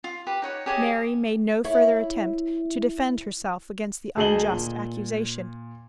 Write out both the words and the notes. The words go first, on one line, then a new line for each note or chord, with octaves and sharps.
Mary made no further attempt to defend herself against the unjust accusation.
F4
G4 B4
D#4 C#5 F#5
G4 G#4 C#5 D#5
E4 C#5
D2 G#4 D#5 A5 F#7 G7
A#2